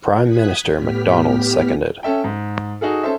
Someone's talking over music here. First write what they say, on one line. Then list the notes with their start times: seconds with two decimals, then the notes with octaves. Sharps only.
Prime Minister Macdonald seconded.
0.23 D#6 F#6 G#6 B6
0.75 A2 B3 G4 F6 B6
2.03 C#4 A4 E5 G5
2.24 G#2
2.81 D#4 F#4 G#4 A4
3.03 C#4 A4 C5 E5